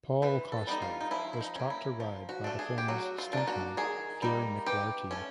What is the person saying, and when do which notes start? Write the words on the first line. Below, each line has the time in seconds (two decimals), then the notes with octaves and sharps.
Paul Koslo was taught to ride by the film's stuntman Gary McLarty.
0.22 E3 B4
0.52 A4
0.67 G3 B3 D#4
0.82 F4
1.01 D#4
1.11 F3 E4
1.33 E4
1.41 D#4
1.55 A#3 C#4
1.70 E4
2.00 F3
2.29 F#4
2.44 A3 D4
2.59 G#4
2.78 G4
2.88 F#3 F#4
3.18 F4
3.33 A#3 D4
3.47 F#4
3.77 D#3 G#4
4.22 G3 A#3 D#4
4.66 E3 G4
5.11 A3 C#4